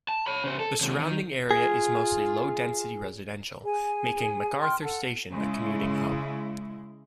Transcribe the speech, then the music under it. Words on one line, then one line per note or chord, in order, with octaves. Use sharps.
The surrounding area is mostly low-density residential, making MacArthur station a commuting hub.
A5
C#5 B5
C#3 C5
A4
D#2 C3
D#3
F4 G#4
G#4 G#5
G5 C6 F6
A4 F#5 A5
C#3 G#3 E4